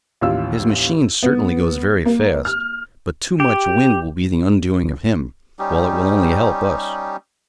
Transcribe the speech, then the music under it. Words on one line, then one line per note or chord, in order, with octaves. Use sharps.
His machine certainly goes very fast, but too much wind will be the undoing of him, while it will only help us.
A1 D#2 F4 E6
B3
A#3
F6
G4
G3 C#4 D#4 G4